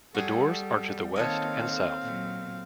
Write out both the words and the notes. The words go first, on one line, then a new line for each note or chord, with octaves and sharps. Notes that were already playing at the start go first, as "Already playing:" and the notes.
The doors are to the west and south.
G3 F#4 G#4 A4
D#3 A#3 C4 A4 C#5 D#5 F5
A#2 F#3